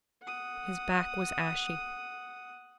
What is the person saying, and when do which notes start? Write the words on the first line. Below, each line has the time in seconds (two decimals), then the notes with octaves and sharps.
His back was ashy.
0.23 F#5 D#6